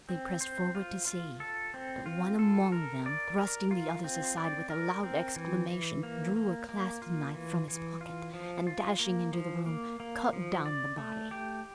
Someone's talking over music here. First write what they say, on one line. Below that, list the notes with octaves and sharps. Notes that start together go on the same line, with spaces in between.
They pressed forward to see; but one among them thrusting the others aside with a loud exclamation, drew a clasp-knife from his pocket, and dashing into the room, cut down the body.
C4
C5
F4
F4
A4
C4
F4
A4
A#4
D5
A#4
F4
C4
D5
A#4
C4
E3
E3
A#3
A#3
A#3
F4
E3
E3
F4
F3
F4
A#3
F3
A#3
A#3
F3
D5
A3
G4